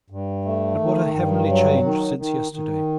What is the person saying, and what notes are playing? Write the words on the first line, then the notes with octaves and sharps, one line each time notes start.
But what a heavenly change since yesterday!
G2
A3
D#3
G2
F#3
D#3
D#3
D#3